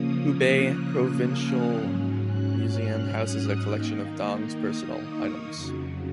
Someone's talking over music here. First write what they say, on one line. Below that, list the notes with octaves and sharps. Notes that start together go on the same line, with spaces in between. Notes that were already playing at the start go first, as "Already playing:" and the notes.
Hubei Provincial museum houses a collection of Dong's personal items.
Already playing: C#3 F3 A#3 C#4 D#6
F#6
F6
G#2 F#3 C#4
F#6
F6
D#6
D#3 A#3 D#4
D#6
C#6
F2 C#3 F#3